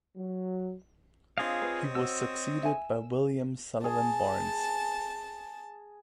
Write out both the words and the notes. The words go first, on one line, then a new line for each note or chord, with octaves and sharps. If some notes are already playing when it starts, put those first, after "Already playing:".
He was succeeded by William Sullivan Barnes.
F#3
C4 D4 F4 G#4 C#5 D#5 F5
B4
F#4 C5 E6
E5 G#5
G#4 A5